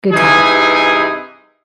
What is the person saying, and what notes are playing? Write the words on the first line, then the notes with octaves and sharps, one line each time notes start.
Good times.
G2 C3 E3 D#4 G#4 G#5